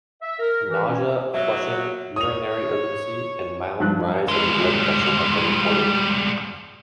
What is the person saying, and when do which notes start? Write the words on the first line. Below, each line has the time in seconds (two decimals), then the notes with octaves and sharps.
Nausea, flushing, urinary urgency, and mild rise in blood pressure have been reported.
0.21 E5
0.39 A#4
0.68 E3
0.85 C#4
1.34 B2 F#3 E5
2.16 C#5 D#6 F7
3.80 G2 F3 F#6
4.28 G3 G#3